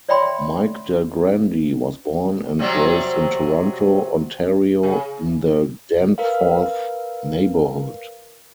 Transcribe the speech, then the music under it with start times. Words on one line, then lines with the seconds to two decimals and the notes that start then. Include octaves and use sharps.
Mike Del Grande was born and raised in Toronto, Ontario in the Danforth neighbourhood.
0.09 C#5 D5 E5 G5 B5 C6
2.59 C3 F#3 G3
4.83 C#3
6.18 A#4 B4 F5